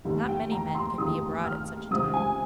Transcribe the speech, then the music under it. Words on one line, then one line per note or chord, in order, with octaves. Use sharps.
Not many men can be abroad at such a time.
F1 D#2 D#3
G5
A#5
C6
F1 D#2 D#3 D#6
F6
C#2 C3 D#3 D#6
G#5